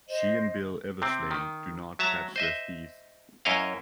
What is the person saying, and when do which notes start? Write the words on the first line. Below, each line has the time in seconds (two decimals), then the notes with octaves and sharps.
She and Bill Eversleigh do not catch the thief.
0.08 C5 D#5
1.02 C3 C4
1.31 D#3
1.99 F#3 E5 A5 A#5
2.36 C5 D#5 E5
3.45 F#2 E4 C#5 D#5 F5